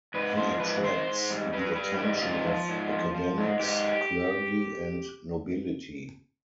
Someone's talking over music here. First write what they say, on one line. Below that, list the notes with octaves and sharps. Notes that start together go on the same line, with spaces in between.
He attracts the attention of academics, clergy and nobility.
G#2 B4
F3 C5
G#2 B4
D#3 C5
G#2
G3
G3 B4
G3 B4
G#2 G4
G#2 F4
F3
G#2
F3
F3
G#2
G#2 G4